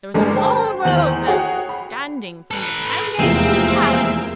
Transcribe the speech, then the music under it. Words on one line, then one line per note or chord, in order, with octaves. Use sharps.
There was a whole row of them standing from the town-gates to the palace.
G1 G3 G#3 D4 A#4
C5 G5 A5
E2 D#3 C5 F#7
F#4 G#4 C#5 F#5 G5
B5
A4 B4
F1 E2 G#3 A#3 C4 F4 E5